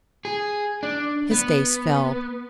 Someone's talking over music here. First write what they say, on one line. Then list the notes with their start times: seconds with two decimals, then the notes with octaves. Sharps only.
His face fell.
0.25 G#4
0.83 D4
1.31 B3